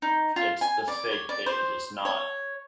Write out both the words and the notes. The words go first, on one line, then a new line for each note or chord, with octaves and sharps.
it's the fake page, it's not
D#4
F4
G#5
D5
C#5
D5
C5
C#5